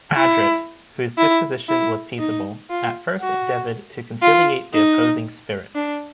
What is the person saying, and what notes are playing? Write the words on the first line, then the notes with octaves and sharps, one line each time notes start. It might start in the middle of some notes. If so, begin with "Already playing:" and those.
Adret, whose disposition was peaceable, at first endeavored to conciliate the opposing spirits.
E4
E4
E4
D#4
F4
F#4
F4
D#4
D4